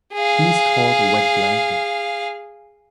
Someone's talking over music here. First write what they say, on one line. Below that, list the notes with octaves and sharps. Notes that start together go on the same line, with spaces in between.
He is called a wet blanket.
G#4 F5